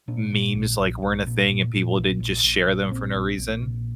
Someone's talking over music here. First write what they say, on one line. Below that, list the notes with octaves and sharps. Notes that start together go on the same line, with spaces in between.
memes, like, weren't a thing and people didn't just share them for no reason.
A#2 D4
A#2
A#1
A#1
A#1
A#2
A#2
A#2
A#1
A#1
A#1
A#2
A#1 C4
A#1
A#1
A#2